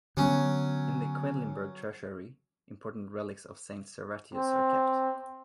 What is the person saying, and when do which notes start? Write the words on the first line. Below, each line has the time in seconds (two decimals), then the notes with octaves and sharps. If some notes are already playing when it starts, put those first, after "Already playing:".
In the Quedlinburg Treasury important relics of Saint Servatius are kept.
0.17 D3 F#3 B3 C#4
4.35 C4